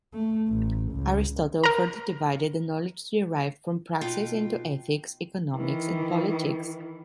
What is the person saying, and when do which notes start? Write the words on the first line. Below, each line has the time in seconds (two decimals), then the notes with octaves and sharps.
Aristotle further divided the knowledge derived from praxis into ethics, economics and politics.
0.14 A3
0.49 A1
0.92 C#2
1.64 A#4 A#5
4.01 B2 D#4 F4 F5 G5
5.56 D#3 E3